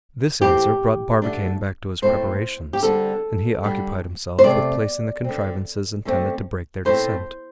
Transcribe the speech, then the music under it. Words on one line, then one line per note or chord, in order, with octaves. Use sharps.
This answer brought Barbicane back to his preparations, and he occupied himself with placing the contrivances intended to break their descent.
A2 E3 C4 G4
D3 A3 D4
A2 A3 C4 C5
G4
D3 G3 C4 A4
D3 G3 D4
C5
C3 A3 C4 D5
D3 C4
D3 A3 C4
A2 A3 C4 C5